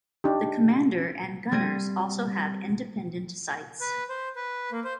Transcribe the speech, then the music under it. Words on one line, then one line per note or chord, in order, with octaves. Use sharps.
The commander and gunners also have independent sights.
D4 D#4 G4
G3 C4 G#6 A#6 D#7
B4
C5
B4
A#3
C5